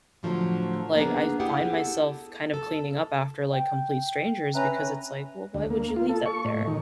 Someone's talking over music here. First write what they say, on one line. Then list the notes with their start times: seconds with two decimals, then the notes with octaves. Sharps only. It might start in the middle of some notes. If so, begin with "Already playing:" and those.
like, I find myself kind of cleaning up after, like, complete strangers because it's like, "Well, why would you leave that there?"
0.23 A2 D3 F3 F#3 A3
0.96 A#3 B3 D4 G#4
1.40 E4 G4 G#4 F#5
1.74 A4
2.54 A4
3.53 G5
4.55 C#4 B4 E5 A#5
5.54 D2
5.70 A#3
5.96 F4
6.09 A4
6.26 C#6
6.44 A2
6.67 D#3